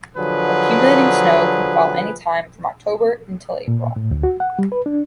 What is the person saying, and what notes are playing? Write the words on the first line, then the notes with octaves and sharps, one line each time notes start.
Accumulating snow can fall any time from October until April.
D3 F3 F#3 G#4 B4
A#2
A2
D2
F#4
F#5
G3
B4
D4